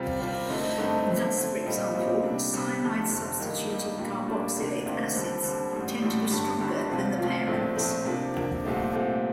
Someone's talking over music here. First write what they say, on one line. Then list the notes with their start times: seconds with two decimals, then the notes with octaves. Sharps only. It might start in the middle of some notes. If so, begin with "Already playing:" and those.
Thus, for example, cyanide-substituted carboxylic acids tend to be stronger than the parents.
Already playing: C3 G3 C4 F4
0.20 C3 G3 C4 F4
0.50 G2 D3 A3 C4 D#4
0.78 G2 D3 A3 C4 D#4
1.07 D3 A3 C4
1.36 D3 A3 C4
1.65 A#2 G3 C4 D#4
1.95 A#2 G3 C4 D#4
2.23 C3 G3 D4
2.53 C3 G3 D4
2.82 F1 F2 D3
3.11 F1 F2 D3
3.40 G2 D#3 G3 A#3 D#4
3.69 G2 D#3 G3 A#3 D#4
3.98 A#2 G3 A#3 D4
4.28 A#2 G3 A#3 D4
4.57 D2 C3 D#3 A#3 D4
4.85 D2 C3 D#3 A#3 D4
5.14 D#2 D3 G3 C4
5.44 D#2 D3 G3 C4
5.73 A1 A2 G3
6.02 A1 A2 G3
6.31 G1 G2 D3 G3
6.60 G1 G2 D3 G3
6.89 D2 C3 F3 C4 F4
7.18 D2 C3 F3 C4 F4
7.47 A#1 A2 A3 C4
7.76 A#1 A2 A3 C4
8.05 C3 F3 A#3 D4
8.34 C3 F3 A#3 D4
8.64 C2 A#2 A3 C4 G4
8.92 C2 A#2 A3 C4 G4